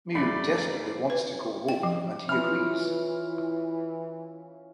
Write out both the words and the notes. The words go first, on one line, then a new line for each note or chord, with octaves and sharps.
Miu desperately wants to go home and he agrees.
F#2 A3 G#4 D5 A#5 B5 C7
B4
G5
F3
E3 C#4 E4 F4 B4 F6